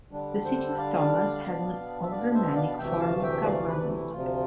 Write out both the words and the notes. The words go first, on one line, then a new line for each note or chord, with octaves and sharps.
The city of Thomas has an aldermanic form of government.
D3 G3 D4
A4 C5
D5 F5
B2 B3 D4
E5
D5 F5
C5 E5
D5 F5
D2 C3 E3 A3 E5 G5
G5
F5 A5
F5
E5 G5
D5 F5
B4 D5
E4
D2 C3 F3 F4